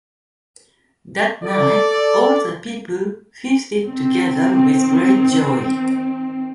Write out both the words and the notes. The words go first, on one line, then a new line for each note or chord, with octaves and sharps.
That night, all the people feasted together with great joy.
A4 D5
D#3 C4